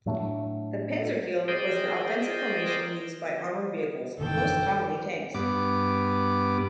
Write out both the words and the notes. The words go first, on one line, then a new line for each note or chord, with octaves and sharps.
The "panzerkeil" was an offensive formation used by armoured vehicles, most commonly tanks.
A2 F#3 A3 D4
G#4 A#4 C5 D5 D#5 G5
F#1 D#3 E3 A4 G5
G2 B3 D6